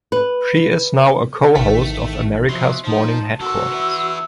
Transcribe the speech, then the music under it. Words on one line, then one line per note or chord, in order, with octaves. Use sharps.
She is now a co-host of "America's Morning Headquarters".
B4
A1 D#3 A3 B6
B2 F3 F#3 E5 C6
F3 D#4 A5
D#3 F#4 A4 E6
B3 E4